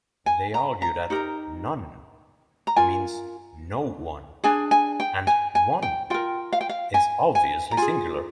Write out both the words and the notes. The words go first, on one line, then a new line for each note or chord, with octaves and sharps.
They argue that "none" means "no one", and "one" is obviously singular.
G#5
A#5
A#5
D#4 G4 A#4
A#5
F4 A#4 G#5
D4 G#4 G#5
G#5
G5
G#5
G#5
G5
F4 A#4 G5
F5
G5
F5
G#5
G#5
A#5
F4 G#4 G#5